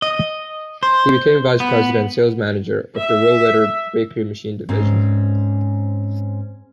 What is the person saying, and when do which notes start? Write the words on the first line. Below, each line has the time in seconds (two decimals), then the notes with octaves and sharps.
He became vice-president and sales manager of the Rohwedder Bakery Machine Division.
0.02 D#5
0.83 C5
1.60 B3
2.98 E5
4.69 G#2 C4 C#4